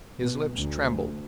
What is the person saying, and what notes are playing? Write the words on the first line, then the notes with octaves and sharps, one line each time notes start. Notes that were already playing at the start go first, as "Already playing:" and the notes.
His lips trembled.
B2
D2